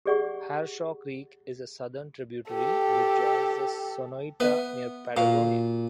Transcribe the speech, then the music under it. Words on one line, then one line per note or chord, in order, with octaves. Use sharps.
Harshaw Creek is a southern tributary which joins the Sonoita near Patagonia.
G4 G#4 D5 F#5 C#6
G4 A4
B3 B4 E5
A#2 F#4 F5